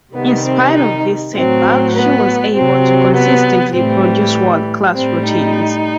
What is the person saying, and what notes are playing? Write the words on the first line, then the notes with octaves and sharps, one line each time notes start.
In spite of this setback, she was able to consistently produce world-class routines.
C3 D#3 G3 B3
C4
D#4
A2 F#3 C4
B3
C3 F#3 C4
B3
A2 E3 G3 C4
A2 G3 C4
D#4